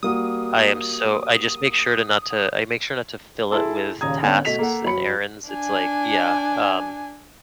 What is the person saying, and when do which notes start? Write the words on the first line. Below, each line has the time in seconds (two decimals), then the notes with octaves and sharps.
I am so I just make sure to not to I make sure not to fill it with tasks and errands. It's, like yeah. Um,
0.03 G3 A#3 F#4 D#6
3.52 E4 G#4 A4 A5 C6 E6
4.01 D#2 A#2 C#3 A#5 D#6 G#6
4.23 D3 B3 C#4 C#5
4.45 B2 A3 D#5 B6 F7
4.59 A#3 A4 F#5
4.84 F#2 F#3 B5 C#7
5.50 D4 G#5